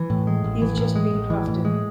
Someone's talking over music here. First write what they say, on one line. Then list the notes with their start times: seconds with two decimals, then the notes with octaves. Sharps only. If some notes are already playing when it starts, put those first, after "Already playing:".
He's just been drafted.
Already playing: E3
0.10 A2
0.27 G#3
0.44 A1
0.62 E3
0.79 A2
0.96 G#3
1.13 A1
1.30 E3
1.48 A2
1.65 G#3